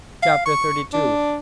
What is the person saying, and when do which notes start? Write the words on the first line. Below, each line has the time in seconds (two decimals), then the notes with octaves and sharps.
Chap. XXXII.
0.23 F5
0.46 C#6
0.93 D4